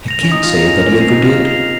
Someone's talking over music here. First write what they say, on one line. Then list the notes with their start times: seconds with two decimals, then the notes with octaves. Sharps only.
"I can't say that he ever did."
0.08 A#6 F7
0.23 C#4
0.32 D#4 D#6
0.43 F4
0.55 D#4 A#6
0.59 F7
0.66 C#4
0.77 A#3 F6
0.87 C#4
0.93 C4
1.01 C7 F7
1.09 D#4
1.24 F4 F6
1.47 C7 F7